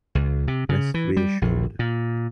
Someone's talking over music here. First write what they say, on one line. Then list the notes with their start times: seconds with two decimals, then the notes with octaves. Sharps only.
Rest reassured.
0.15 C#2
0.48 C3
0.69 C#3
0.94 E3
1.17 G3
1.42 A#1
1.79 A#2